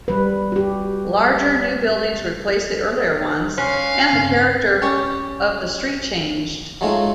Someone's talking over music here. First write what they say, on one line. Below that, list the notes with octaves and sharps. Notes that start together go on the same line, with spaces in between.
Larger new buildings replaced the earlier ones, and the character of the street changed.
G3 B4
F#4 G4
C#4 F5 C6 F6 F#6
G2 C#3 C4
C#4 G4 C#6
F#3 G#3 A3 D#4 F4